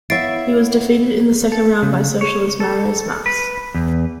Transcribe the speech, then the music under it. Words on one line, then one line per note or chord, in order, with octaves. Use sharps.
He was defeated in the second round by Socialist Marius Masse.
B3 E4 C#5 E5 F5 A6 C7 D7
A4
C#3
C#5
A4
B4
E2